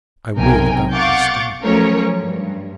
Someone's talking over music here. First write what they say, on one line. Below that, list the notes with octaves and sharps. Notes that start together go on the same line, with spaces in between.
I wheeled about with a start.
B1 C3 A#4 G5 G#5
F5 F#5 C#6 D6 G6 A6
F3 F#3 A3 C#4 A#4 C#5
G2